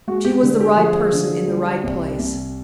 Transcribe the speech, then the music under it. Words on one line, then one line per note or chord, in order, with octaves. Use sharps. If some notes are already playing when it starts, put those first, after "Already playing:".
She was the right person in the right place.
G#3 F#4
G4
D3
G4
F3 G#4
D3
G3
C2
C2